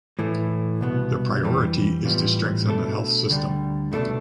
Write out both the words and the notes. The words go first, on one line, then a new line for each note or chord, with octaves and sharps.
The priority is to strengthen the health system.
A2 E3 A3
C2 B2 B3
F2 E3 G3
A2 E3 G3 B3 F4
B2 A3 D4 A4
D2 D3 G3
C2 B2 A3 D4 A4